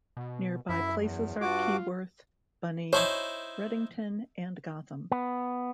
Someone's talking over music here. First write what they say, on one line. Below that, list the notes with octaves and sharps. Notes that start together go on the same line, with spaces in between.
Nearby places are Keyworth, Bunny, Ruddington and Gotham.
B2
F#2 E4 E5
E2
G2 F4 F#4 D6
D#4 E4 C5 C#5
B3